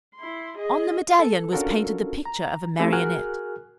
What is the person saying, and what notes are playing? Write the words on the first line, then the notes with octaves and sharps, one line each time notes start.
On the medallion was painted the picture of a Marionette.
E4 C6
G#4 D#5
A4
C#4 D4 F4 F#4 A4 A#4
A#5
A3 C4 C#4 E4 G4
F#4 G#4 A#4 G#5 F6 F#6